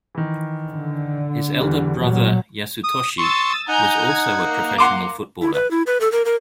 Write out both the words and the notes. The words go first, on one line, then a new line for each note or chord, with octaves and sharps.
His elder brother Yasutoshi was also a professional footballer.
D#3 E3
D3
E2 E3 G3
A#2 F#3
D#6
C6 C#6 D#6 E6 A6
D#4 F#5 G#5 A#5 G6
G#6
A#3
F#5 C6 D6
E4
B4
E4
B4
A4
A#4
A#4